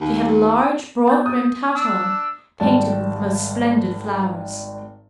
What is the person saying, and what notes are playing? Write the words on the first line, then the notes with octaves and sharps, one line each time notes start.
She had a large broad-brimmed hat on, painted with the most splendid flowers.
D#2
B3 G6 A6
D#6
D4 E6
G#1 G3 A5